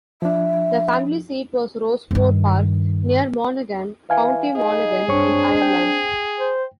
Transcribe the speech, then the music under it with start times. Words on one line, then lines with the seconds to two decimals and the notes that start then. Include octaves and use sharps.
The family seat was Rossmore Park, near Monaghan, County Monaghan, in Ireland.
0.22 F3 D4 E5
2.11 G2 D#3
4.10 E3 F5 G#5
4.56 D#4 G#4
5.08 G2 C4 D4 C#5 C#6
5.62 G5
6.40 C5